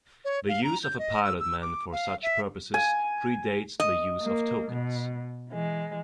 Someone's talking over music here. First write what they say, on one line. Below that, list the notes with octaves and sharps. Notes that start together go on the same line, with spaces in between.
The use of a pilotman for such purposes pre-dates the use of tokens.
C#5
F5
A#5
G6
D#5
E6
E6
D6
F5
E5
G#5
D#5
A#3
B2
E3 G#3